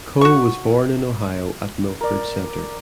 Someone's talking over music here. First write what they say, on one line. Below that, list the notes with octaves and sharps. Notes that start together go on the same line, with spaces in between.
Coe was born in Ohio at Milford Center.
F#4 C#6
A#4 D5